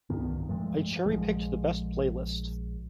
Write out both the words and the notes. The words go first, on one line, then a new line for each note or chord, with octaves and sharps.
I cherry-picked the best playlist.
C2 G2 D#3 B3
G2 F3 G#3 A3
A#1 F3 G#3